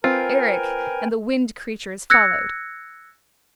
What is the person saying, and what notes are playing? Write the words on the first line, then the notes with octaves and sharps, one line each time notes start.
Eric and the Wind Creatures followed.
C4 F4 A#4 B4 G5 G#5
E6 F#6 G#6 A#6 C#7